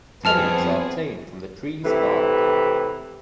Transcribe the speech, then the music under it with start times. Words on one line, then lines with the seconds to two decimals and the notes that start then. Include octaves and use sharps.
Tannins are obtained from the trees' bark.
0.25 F2 B3 C4 G#4 A5 F6 F7
1.84 A2 C3 E3 E4